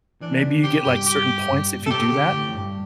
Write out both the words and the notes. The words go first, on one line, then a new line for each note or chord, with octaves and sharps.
maybe you get, like, certain points if you do that,
E3 D4
D3
C3 G4
G2 G4
G4
G2
A2
A4
C3 G4
D3
A2
E2
G2